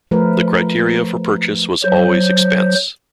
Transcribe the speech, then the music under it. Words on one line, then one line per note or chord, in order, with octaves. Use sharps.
The criteria for purchase was always expense.
F3 A3 A#4 B4
F#3 C5